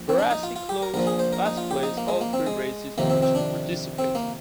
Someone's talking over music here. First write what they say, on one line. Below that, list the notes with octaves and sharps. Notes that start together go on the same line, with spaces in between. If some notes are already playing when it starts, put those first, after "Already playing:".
Barassi closed in last place all three races in which he participated.
Already playing: A#1
C4
D4
D#4
F4
F4
G4
A#4
A#1 A#2 F3 A#4
G#4
C5
A#4
D#4
F4
G4
D#4
A#3
G#3
A#3
C4
G#3
F2 C3 D#3 A#3
C4
C4
D4
C4
A#3